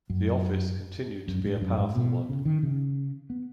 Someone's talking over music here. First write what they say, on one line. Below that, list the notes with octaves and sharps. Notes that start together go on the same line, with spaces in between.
The office continued to be a powerful one.
F#2
F#2
G#2
F#2
G#2
B2
C#3
D#3
C#3
B3